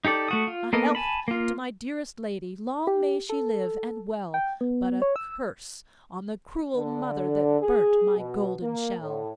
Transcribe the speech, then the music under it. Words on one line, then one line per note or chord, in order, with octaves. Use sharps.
'A health to my dearest lady, Long may she live and well! But a curse on the cruel mother That burnt my golden shell!'
D#4 G4 A4 D5
A3 F#4 D#6
F4
A#3 B3 A4 A#4 D#5
G#5 A5 B5
A#3 F4
G4
A4
G5
B3
C#5
E6
D3
G#4
B2
A#3
A2